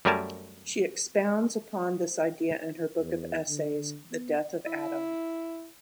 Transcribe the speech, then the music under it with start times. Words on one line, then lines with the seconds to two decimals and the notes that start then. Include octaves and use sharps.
She expounds upon this idea in her book of essays, The Death of Adam.
0.05 F#2 G3 A3 A#4 G#5 A5
3.00 E2
3.49 D3
4.12 B3
4.66 E4